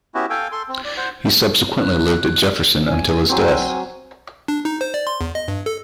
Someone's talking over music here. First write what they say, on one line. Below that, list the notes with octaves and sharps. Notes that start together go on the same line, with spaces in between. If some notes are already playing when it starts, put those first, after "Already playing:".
He subsequently lived at Jefferson until his death.
B3 C#4 E4 F#4 G4
A4 F5 G5 G#5
A4 C6
C4
D5
C5 F#5
F#6
G#5
F#3 C4 G#5
D4
D#4
C5
D5
C6
E2
D#5
G2
A4